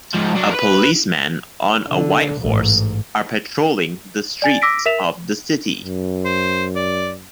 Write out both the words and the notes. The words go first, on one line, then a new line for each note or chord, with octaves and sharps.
A policeman on a white horse are patrolling the streets of the city.
G#2 F3
F#3 D4
A#4 B4
D3
A1 G#2
D5 G#5 A6
D6 E6 A#6 B6 D7
A#4 E5 B6 E7 F7
F#2
C5
D5